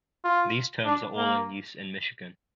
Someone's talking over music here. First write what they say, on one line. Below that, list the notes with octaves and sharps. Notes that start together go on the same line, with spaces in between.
These terms are all in use in Michigan.
F4
D4
A#3